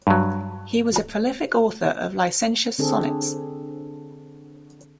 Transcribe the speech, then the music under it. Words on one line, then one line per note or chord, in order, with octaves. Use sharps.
He was a prolific author of licentious sonnets.
G2 F#3
D3 C4 D4 G#4 A4